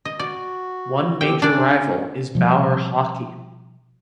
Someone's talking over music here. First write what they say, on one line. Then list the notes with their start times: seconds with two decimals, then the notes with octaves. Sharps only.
One major rival is Bauer Hockey.
0.05 D#5
0.20 F#4 D5
1.21 B2 C4 G4 G5
1.42 C#4 D4 D5
2.35 B2 F3 G3